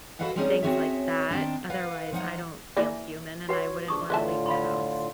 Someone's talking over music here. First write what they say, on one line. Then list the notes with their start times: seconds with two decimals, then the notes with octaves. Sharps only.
things like that. Otherwise, I don't feel human, and I wouldn't wanna leave the house.
0.19 F#4 A4 B4 D#5 F5 F#5
0.36 G3 G#3 C4 C#4 D#4 G#4
0.63 C4 C#4 F#4 G#4 C#5 E5
1.31 D#3 C4 D4
1.70 B4 F5 F#5
2.12 F3 D#4 F#5
2.77 E3 A#3 D5 E5
3.49 F#4 B4 C#5 F#5
3.88 F3 D4 G#4 C#6 D#6
4.10 A2 D3 F4 B4 E5 A5
4.46 F5 B5 C6